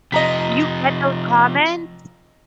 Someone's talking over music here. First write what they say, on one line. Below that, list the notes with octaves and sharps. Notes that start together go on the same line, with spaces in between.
You get those comments?
C3 F3 D#5 A#5 B6